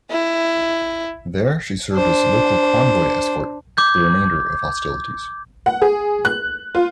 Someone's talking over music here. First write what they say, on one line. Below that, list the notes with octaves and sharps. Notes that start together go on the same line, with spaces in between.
There she served as local convoy escort for the remainder of hostilities.
E4
D4 C5
D6 G6 G#6
F#5
G#4
F#6
F4